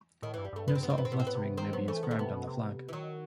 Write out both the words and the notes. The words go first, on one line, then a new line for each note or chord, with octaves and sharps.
No sort of lettering may be inscribed on the flag.
A2 D#3
G2 E3
G3
G2 A3
B3
C4
B3
C4
B3
C4
A2 B3
C4
B3
C3
D#3 C4
F#3 B3
E3 A3
D#3 B3
A3
C3 B3
B2
C3
E3
D#3 F#3